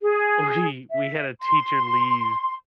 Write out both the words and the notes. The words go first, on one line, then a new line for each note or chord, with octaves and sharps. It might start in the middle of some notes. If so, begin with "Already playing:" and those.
We we had a teacher leave,
G#4
E5
C6